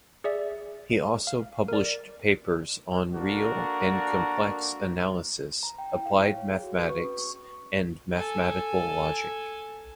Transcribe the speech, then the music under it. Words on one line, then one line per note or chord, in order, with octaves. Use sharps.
He also published papers on real and complex analysis, applied mathematics and mathematical logic.
G#4 D5 E5
F5
A#4 D5
A#3 D4 F#4 A4 A#4
A#5
G5
E4
F5
C#5
C#5
G#4
F#4
B4
C#6
C#4
C#6
A4 G#5